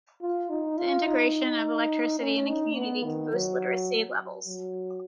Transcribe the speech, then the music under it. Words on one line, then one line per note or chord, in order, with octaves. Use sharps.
The integration of electricity in a community can boost literacy levels.
F4
D#4
F4
D#4
C#4
D#4
B3
D#3
F#3
F#3